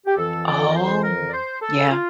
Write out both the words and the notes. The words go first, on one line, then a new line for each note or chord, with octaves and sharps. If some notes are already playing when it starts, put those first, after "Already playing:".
Oh yeah,
G4
F2 E3 A4
D5
A4
A#4
C5
A#4
D5
C5
A4
F4